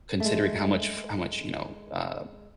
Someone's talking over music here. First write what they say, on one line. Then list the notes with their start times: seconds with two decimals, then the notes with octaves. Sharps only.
considering how much fu how much, you know, uh,
0.20 G#3 A3